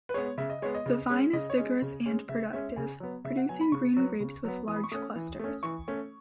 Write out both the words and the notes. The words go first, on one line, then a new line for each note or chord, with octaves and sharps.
The vine is vigorous and productive, producing green grapes with large clusters.
B4
G#3 B3 C#5
C#3 E5
D#5
G#3 B3 C#5
D#5
C#3
G#3 C#4
C#3 D#5
C#5
G#3 C#4 D#5
C#3
G#3 C#4
C#3 E5
G#3 C#4 E5
C#3 G#5
F#3 B3
C#3 E5
F#5
F#3 B3 G#5
B5
C#3 C#6
F#3 B3
C#3
F#3 B3
E3 D#6
B5
C#6
A3 C#4 D#6
E3
A3 C#4
E3 C#6
A3 C#4